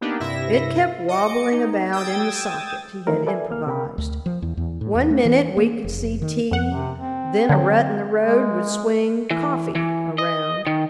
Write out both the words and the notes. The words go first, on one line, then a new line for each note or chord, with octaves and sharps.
It kept wobbling about in the socket he had improvised; one minute we could see "Tea"; then a rut in the road would swing "Coffee" around.
A#3 B3 D4 D#4 G4
G2 C3 E4 E5 A#6
D#5 D6 C#7
D#4
G5 D#6 E6 G#6 A6
D#3 E3 A3 E4 A#4
A4 B4 D5 E5 G#5
C2 A#3 F6
C3 A#4 G5 B5
D2
F3
E2
E2
A2
E2
A3
E3
A#3
F1
D#3
F2 F#5
C3
C4
D3 F#3
G#3
E3
E3
D#5
D#3